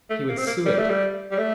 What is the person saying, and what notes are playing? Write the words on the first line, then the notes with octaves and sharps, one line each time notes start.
He would sue it.
A3
A#3
C4
A#3
G3
A3
G3
G3
A3